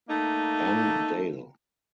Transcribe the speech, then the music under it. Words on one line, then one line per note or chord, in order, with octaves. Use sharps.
Ann Dale.
A3 A#3 D#4